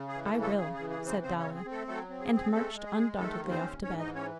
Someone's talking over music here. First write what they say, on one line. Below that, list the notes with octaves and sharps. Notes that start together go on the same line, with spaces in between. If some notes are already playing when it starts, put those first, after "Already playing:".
"I will," said Dolly, and marched undauntedly off to bed.
Already playing: C#3
G#4
E3
A3 A4
C#3
A3 A4
C#3 G#4
G#4
E3
G#4
C#3
C4 C5
C#3 C4 C5
C#4 C#5
C4
G#4
C4
A3 A4
F#3 A3 A4
C4
G#4
C4
G#4
G#3 A3 A4
G#3
G#4
G#3
D#3 A3 A4
D#2
C4 C5
C#4
G#2 C#4 C#5
D#4 D#5
E3
C#4 C#5